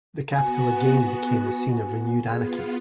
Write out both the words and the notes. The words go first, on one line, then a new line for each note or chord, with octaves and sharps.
The Capital again became the scene of renewed anarchy.
B3 F#4 G#5
B3 F4 G#4